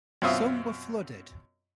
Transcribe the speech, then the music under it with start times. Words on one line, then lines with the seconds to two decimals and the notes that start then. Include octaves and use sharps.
Some were flooded.
0.22 F#2 B2 C4 F4 E5 D#6